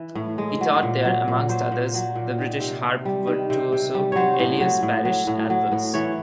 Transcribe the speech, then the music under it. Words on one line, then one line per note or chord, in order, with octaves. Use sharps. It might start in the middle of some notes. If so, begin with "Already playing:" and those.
He taught there, amongst others, the British harp virtuoso Elias Parish Alvars.
Already playing: E3
A2
G#3
F#3
A#2
F#3
A#2
F#3 C5
A#2
F#3
A#2
D#3
C3
C3
G3
D#3
C3
C3
G3
F#3 C5 C#5
A2
F#3
A2
F#3
A2
F#3
A2
E3 C#5